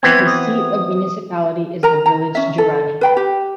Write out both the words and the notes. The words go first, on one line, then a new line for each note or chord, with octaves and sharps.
The seat of the municipality is the village Gerani.
E3 B3 C4 G#6
D#6
A#4 A#5
A#5
C#4 E5
A4
B4 G5 B5
G4